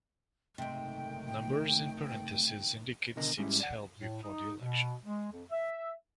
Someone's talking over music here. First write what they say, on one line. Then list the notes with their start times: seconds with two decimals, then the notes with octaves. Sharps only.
Numbers in parentheses indicate seats held before the election.
0.58 F#1 G#2 C3 D#3 A3 G5
3.16 C#2 B2 D3 A#4 D#5
3.37 G#2 G3 G#3 C#4 E4
3.60 D5 F#5
3.95 A2
4.22 D#4
4.60 B2
5.04 G#3
5.30 F2
5.51 E5